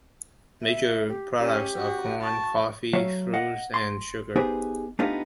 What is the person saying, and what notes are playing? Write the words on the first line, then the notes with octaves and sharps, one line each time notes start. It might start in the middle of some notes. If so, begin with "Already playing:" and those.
Major products are corn, coffee, fruits, and sugar.
E5
G4
C#4 G4
F#4
A5 C#6
F#3 A3 C#5 E5 F5
D#5 F5 F#5
C6
B3 D#4 G4 G#4 B4 C5
A3 B3 D4 D#4 F4 G4